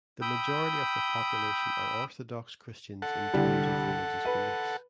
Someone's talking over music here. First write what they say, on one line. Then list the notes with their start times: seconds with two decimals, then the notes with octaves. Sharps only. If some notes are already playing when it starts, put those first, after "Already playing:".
The majority of the population are Orthodox Christians in terms of religious beliefs.
0.21 G5 B5 D#6 E6 G6
3.02 A4 F#5
3.33 C2 D3 G3
4.25 B4